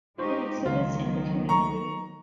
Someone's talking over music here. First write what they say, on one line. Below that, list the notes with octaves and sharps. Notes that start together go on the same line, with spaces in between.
It exhibits in the community.
G#3 D#4 F4 G4 C5 C#6
C#2 D#3 F3 F#3 F4
A#5 C#6